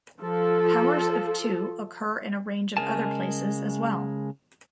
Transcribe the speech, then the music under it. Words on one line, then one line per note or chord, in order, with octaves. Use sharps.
Powers of two occur in a range of other places as well.
F3 A4
C#3 G#3 A#4 G#5 A5